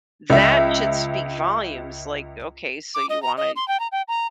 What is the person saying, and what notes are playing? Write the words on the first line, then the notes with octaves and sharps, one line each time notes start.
That should speak volumes, like, "Okay, so you wanna"
C#2 E5
D6
D#5
A#5
D#5
C6
G5
A#5
G5
A#5